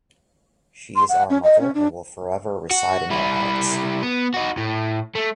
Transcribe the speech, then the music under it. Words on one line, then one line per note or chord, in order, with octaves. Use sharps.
She is our mother, and will forever reside in our hearts.
C6
F#5
C#4
D#5
C#4
D4
F#4
G3 E4
B3
D#4 F#4
A2
A3